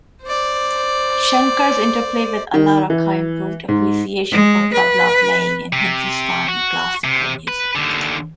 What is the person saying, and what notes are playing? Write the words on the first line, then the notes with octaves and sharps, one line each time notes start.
Shankar's interplay with Alla Rakha improved appreciation for "tabla" playing in Hindustani classical music.
C5 D5
D#3
E3
G#2
G#3
B4
C3
F#4
C3
B4
D#2 D3